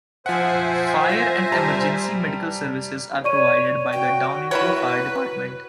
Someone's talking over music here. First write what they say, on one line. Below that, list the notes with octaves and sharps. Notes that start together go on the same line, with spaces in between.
Fire and emergency medical services are provided by the Downingtown Fire Department.
F3 C5 E5 F#5 G#5
F4 A#6
G3 A5 A#5
C#5 D5 C#6 D#7
F#4 G5
E4 A#4 B4 C#5